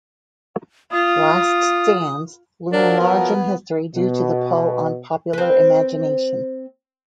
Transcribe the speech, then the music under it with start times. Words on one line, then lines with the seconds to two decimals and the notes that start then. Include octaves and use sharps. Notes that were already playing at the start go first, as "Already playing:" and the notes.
Last stands loom large in history due to the pull on popular imagination.
0.92 F4 D#6
2.73 F3 F#3 D4 A#4
3.00 B3
3.96 B2
5.33 C4 B4